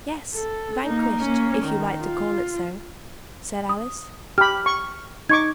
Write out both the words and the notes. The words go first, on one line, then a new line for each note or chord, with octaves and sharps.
"Yes, vanquished; if you like to call it so," said Alice.
A4
A#3 D#4
A#3 C#4
D#3
F4
D#6
G4 B5 F6
C#6
D#4 C#6 D6 G#6